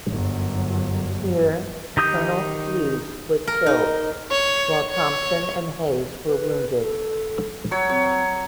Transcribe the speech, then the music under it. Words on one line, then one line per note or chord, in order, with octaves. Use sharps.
Here Colonel Hughes was killed, while Thompson and Hays were wounded.
G1 F#2 F#3
D#3 D#4 G4 D#6 G6
A#4
D#4
C#5
C#5
B4
A4
F#3 C#5
C4 C#5